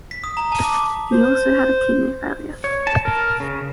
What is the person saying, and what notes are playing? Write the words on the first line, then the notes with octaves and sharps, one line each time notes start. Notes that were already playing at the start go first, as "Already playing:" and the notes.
He also had kidney failure.
B6
D#6
A#5
A5
D6
C5
C#5
A5
A#4
C#3